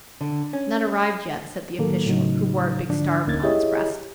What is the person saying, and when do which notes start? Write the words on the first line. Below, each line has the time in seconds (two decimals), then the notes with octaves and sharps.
"Not arrived yet," said the official, who wore a big star upon his breast.
0.21 D3
0.53 C#4
1.78 A2 D#3 F#3 A#3 A4
2.06 A2 C#3 F#3 D#4
2.88 G#2 D3 F3 D4
3.27 D2 A#3 C#4 D#4 G#6 A6
3.44 E4 G4 G#4 C#5 D#5